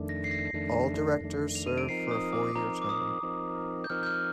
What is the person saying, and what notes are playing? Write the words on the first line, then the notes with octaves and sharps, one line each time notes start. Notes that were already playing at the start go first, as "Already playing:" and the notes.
All directors serve for a four-year term.
Already playing: F2 D#3 A3 D4
A#6
C7
A#6
F2 D#3 A3 D4
F2 D#3 A3 D4
F7
D#7
D7
F3 C4 D#4 A#4 C7
D#6
D6
F3 C4 D#4 A#4 A#5
D6
D#6
F3 C4 D#4 A#4
G6
F3 C4 D#4 A#4 F6
G6
F6